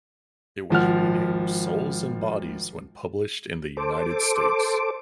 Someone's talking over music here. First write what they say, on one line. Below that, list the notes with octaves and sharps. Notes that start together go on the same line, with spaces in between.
It was renamed Souls and Bodies when published in the United States.
G#1 F3 F#5 F6
A4 C5 D6